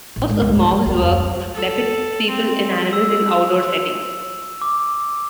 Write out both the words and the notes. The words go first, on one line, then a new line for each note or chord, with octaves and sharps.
Most of Mauve's work depicts people and animals in outdoor settings.
A1
G#2
C#2
A3
F3
D2
F2
F3
A4
C4
E6
D6